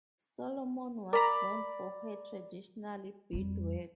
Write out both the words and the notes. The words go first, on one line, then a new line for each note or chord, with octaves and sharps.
Solomon was known for her traditional beadwork.
A#4 D5 A#5 B5
F2 G3